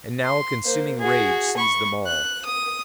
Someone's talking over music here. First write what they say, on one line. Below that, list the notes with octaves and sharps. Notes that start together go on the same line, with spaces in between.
And now a consuming rage seized them all.
C6
A#3 C5
F#4 G#4
B5 C#6
F#6
D#6